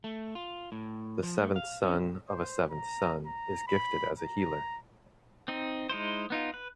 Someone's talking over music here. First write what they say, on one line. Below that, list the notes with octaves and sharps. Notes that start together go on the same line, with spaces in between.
The seventh son of a seventh son is gifted as a healer.
A3
F4
A2
F3
A3
F5
C#4
C5
A#5
A#5
B5
A#5
C4 D#4
G#3 D#4 E4 C5
B3 D#4 F4
B4